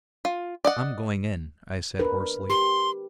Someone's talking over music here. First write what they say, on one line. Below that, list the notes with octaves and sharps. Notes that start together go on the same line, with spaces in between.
"I'm going in," I said hoarsely.
F4
D5 D#5 F#5
D4 A#4 B4
G4 C6